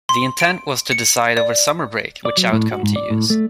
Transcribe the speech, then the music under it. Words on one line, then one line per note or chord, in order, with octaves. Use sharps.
The intent was to decide over summer break which outcome to use.
C6
D7
C#7
D5
D5
F#3
A2
F#4
G#2
D5
A2
A3